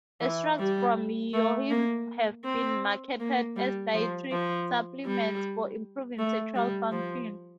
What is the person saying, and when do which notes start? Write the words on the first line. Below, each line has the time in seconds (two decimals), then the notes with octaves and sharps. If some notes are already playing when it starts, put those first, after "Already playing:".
Extracts from yohimbe have been marketed as dietary supplements for improving sexual function.
0.21 E3
0.59 G3
1.33 A3
1.71 A#3
2.44 C4
3.20 A#3
3.56 G3
3.94 F3
4.32 F3
5.06 G3
6.18 A3
6.55 G3
6.92 F3